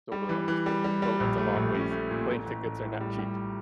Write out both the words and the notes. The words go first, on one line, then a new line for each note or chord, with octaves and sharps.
totally understood. So, it's a long ways. Plane tickets are not cheap.
G3
E3
E3
G3
G3
G3
A#1
A3
A#1
C#4
A3
A#2
A1
A1
A1
A2
G3
G3